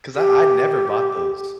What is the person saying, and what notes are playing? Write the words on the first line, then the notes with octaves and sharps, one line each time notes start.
'Cause I I never bought those.
G4